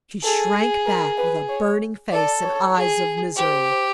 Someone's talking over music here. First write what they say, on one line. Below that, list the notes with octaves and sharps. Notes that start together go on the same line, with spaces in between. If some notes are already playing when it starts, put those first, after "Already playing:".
She shrank back with a burning face and eyes of misery.
G#4 A4
A#4
B4
C#5
A4 D5
C#5
G#4
G4 C5